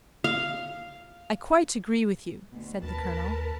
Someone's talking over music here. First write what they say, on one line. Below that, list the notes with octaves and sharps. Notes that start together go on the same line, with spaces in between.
"I quite agree with you," said the Colonel.
F5
D2 B2
D#2 A#4 B4 A5